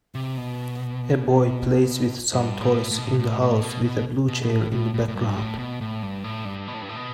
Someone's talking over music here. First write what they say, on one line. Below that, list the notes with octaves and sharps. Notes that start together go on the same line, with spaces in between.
A boy plays with some toys in the house with a blue chair in the background.
C3
B2
G2
A2
A2
B2
A2
A2
A2
B2
B2
B2
B2
A2
A2
A2
A2
G2
A2
B2
A2
G2
A2
G2
B2
A2
G2
A2
B2